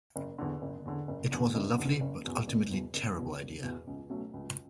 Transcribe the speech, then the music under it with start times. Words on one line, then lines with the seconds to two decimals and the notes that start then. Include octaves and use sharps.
It was a lovely but ultimately terrible idea.
0.16 F#1
0.38 E2 D3
0.62 F#1
0.85 E2 D3
1.08 F#1
1.32 E2 D3
1.55 F#1
1.78 E2 D3
2.01 F#1
2.25 E2 B2
2.48 F#1
2.71 E2 B2
2.94 F#1
3.17 E2 B2
3.41 F#1
3.63 E2 B2
3.87 C#2
4.10 B2 F#3 A3 C#4
4.34 C#2